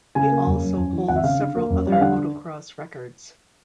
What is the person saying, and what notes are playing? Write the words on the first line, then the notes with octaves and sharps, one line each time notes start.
He also holds several other motocross records.
C#3 G#5
A#3
F#2
F#3
F#2
E3
G#1 F#5
E5
C#3 F5
D3
A#3
F#2
G3
F5
D3 F#5